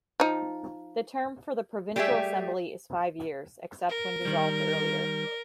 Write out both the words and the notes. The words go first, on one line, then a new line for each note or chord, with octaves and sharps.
The term for the Provincial Assembly is five years, except when dissolved earlier.
F3 D#4
G3 A3 G4 G#4 E5
A#4
D#3 G3